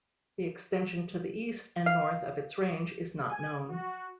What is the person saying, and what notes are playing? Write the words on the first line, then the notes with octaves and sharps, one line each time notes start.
The extension to the east and north of its range is not known.
F5
G#5
F#4